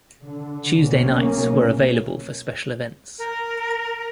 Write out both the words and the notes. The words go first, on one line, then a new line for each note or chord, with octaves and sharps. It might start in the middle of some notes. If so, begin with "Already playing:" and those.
Tuesday nights were available for special events.
D3
B1 C#3 A#3 C#4
A#4